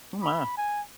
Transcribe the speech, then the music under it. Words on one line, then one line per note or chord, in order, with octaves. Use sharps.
Oh my.
B5
G#5